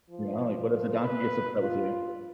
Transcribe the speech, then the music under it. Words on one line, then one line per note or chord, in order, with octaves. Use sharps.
You know, like, what if the donkey gets upset with you?
F3
B4
F4